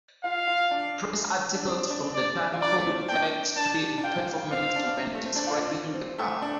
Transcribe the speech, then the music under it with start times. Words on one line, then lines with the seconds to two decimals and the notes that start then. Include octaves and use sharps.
Press articles from the time quote "drag-strip" performance when describing the car.
0.24 F4 F5
0.47 F4
0.71 D4
1.55 D4
1.66 C4
1.90 D4
2.14 D5
2.53 F4
2.61 D4 D5
2.78 A3
2.85 C4
3.09 D4 G5
3.56 D4 A5
3.81 G4
3.98 D4
4.04 F4 G5
4.20 F4
4.36 F4
4.52 C4 F5
4.76 D4
5.15 A3
5.25 C4
5.36 D4
5.47 F4
5.94 C4
6.18 A3
6.42 D4